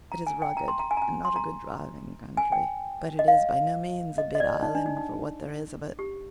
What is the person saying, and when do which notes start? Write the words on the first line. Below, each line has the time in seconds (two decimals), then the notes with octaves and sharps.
It is rugged and not a good driving country, but it is by no means a bad island for what there is of it.
0.12 A#5
0.27 G#5
0.42 G5
0.57 A#5
0.68 C6
0.79 A#5
0.91 G#5
0.97 A#5
1.02 G#5
1.25 C6
1.36 A#5
2.37 G#5
2.52 G5
3.19 D#5
3.28 F5
4.18 D#5
4.35 D#5
4.40 D5
4.63 D#4
4.75 D4
4.86 D#4
4.97 D#4
5.99 G4